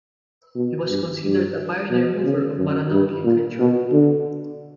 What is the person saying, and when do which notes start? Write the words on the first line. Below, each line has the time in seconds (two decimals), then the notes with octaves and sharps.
He was considered a pioneer mover of Maranao literature.
0.56 B2
0.90 G2
1.23 G2
1.91 B2
2.24 C#3
2.57 F#2
2.91 G2
3.25 A#2
3.59 B2
3.92 D3